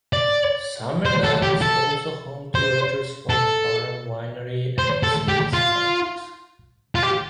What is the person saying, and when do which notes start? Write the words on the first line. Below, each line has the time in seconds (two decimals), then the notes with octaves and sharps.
Sumerduck is also home to Rogers Ford Farm Winery and Smith's Antiques.
0.13 D5
1.06 C5
1.24 A4
1.42 G4
1.62 A4
2.55 C5
3.30 A4
4.79 C5
5.03 A4
5.28 G4
5.53 F4
6.95 F4
7.03 G4